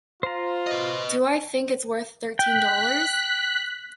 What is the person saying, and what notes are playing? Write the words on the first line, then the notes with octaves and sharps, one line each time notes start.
Do I think it's worth thirteen dollars?
F4 C5 A#5
B4 D#5
G5 F#6 B6